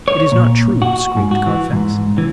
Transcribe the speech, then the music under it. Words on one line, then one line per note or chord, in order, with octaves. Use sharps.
"It is not true," screamed Carfax.
C#5
A#2
F#4
G#2
F#4
E3
G#2
E3